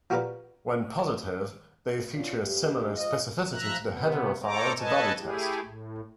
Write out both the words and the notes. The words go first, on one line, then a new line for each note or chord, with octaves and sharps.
When positive, they feature similar specificity to the heterophile antibody test.
F3 F#4 G4 A#4 B4 D5
C#4 D4 F4 F#4 A#4 D5
G2 G4
F3 F4 G#4 D#5
F3 E5 A#5 F#6
C3 B3
A4 C5 C#5 A#5 D6
A4 B4 D#5 G#5 A5
A3 E4 G4 G#4
A2